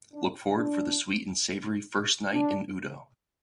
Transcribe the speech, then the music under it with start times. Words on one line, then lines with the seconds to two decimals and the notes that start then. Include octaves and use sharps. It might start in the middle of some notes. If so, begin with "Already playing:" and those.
Look forward for the sweet and savory first night in Udo!
0.13 D4
0.57 D4
2.32 D4